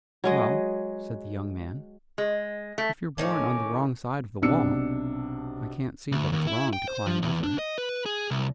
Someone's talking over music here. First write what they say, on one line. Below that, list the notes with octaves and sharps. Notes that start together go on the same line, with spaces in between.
"Well," said the young man, "if you're born on the wrong side of the wall, I can't see that it's wrong to climb over it."
F#3 G#3 D#5
G#3
A3
A2 D#3 C#4 D6
B1 C3 D4 E6 C#7
D2
D#2
E4
G5
C5
F3
E2
D4
D#5
B4
G#4
C2